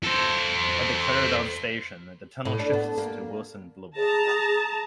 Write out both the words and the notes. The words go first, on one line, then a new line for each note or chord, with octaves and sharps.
At the Clarendon station, the tunnel shifts to Wilson Blvd.
A4 C5
A2
D4
B3
A#3
G#4 A5 A#5